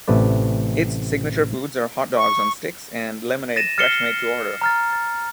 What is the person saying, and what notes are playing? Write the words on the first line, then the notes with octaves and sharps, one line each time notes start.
Its signature foods are hot dogs on sticks and lemonade fresh made to order.
A1 C3 A3 B4 D5
C#6
A6 A#6 D#7 E7
F6 A6 C7 C#7 E7 G7
A#5 F6 A6
A6